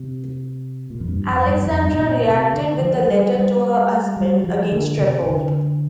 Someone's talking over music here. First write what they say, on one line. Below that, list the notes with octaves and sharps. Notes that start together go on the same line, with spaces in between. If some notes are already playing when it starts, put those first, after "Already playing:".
Alexandra reacted with a letter to her husband against Trepov.
Already playing: C3
A#2
F2
G2
F2
G2
F2
G2
C3
A#2
C3
D3
F3
F3
G3
G3
G3
F3
D3
C3
C3
D3